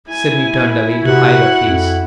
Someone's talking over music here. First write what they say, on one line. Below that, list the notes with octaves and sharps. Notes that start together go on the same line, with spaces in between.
Sydney turned away to hide her face.
E4 G#5
C3 F#4 F#5
F2